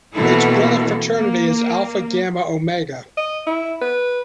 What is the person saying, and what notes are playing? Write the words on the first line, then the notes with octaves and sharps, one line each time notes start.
Its brother fraternity is Alpha Gamma Omega.
B2 E3 A#3 C4 E4 A4
A#3
D#5
E4
B4